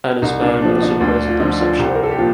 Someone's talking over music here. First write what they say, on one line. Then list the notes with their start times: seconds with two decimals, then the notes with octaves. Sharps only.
Anna's band also plays at the reception.
0.22 C2 D#4
0.41 D4
0.61 A#2 F3 D4
0.82 D#4
1.00 D2 D4
1.28 F4
1.40 D3 F3 D#4
1.60 F4
1.79 C2 G4
1.88 C5
1.95 A#4
2.03 A4
2.11 G4
2.18 A#2 F3 F4